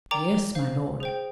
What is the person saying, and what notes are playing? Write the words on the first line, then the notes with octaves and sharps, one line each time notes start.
"Yes, my Lord!"
A#4 D5 G5 A#5 D6
C5 F5
G#4 C5 G5